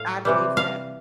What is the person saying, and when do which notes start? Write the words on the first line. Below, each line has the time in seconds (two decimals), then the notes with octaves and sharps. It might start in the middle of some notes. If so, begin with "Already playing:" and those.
I believe that.
Already playing: A2 F5
0.25 C3 E3 G3
0.57 F5